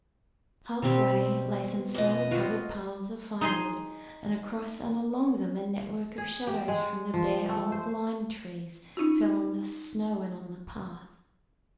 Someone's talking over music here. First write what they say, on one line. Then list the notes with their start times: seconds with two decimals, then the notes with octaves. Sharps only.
Halfway lay some snow-covered piles of firewood and across and along them a network of shadows from the bare old lime trees fell on the snow and on the path.
0.82 B2 G3 C4 G4
1.94 F2 B3 D#5
2.31 F4 F#4
3.41 D#4 G#4 C6
6.18 G#4
6.47 G4
6.68 G#3
7.14 F3
7.49 A3
7.72 C5
8.97 C#4 D#4 F4 F#4